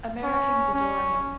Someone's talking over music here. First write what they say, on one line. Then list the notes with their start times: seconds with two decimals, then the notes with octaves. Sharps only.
Americans adore him.
0.23 C#4
0.74 C#4